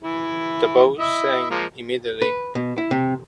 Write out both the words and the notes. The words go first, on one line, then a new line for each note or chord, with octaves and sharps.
The bow sank immediately.
E3 E4
E4 D#5 E5
F3 G#3 A#3
B4
B2
E4
C3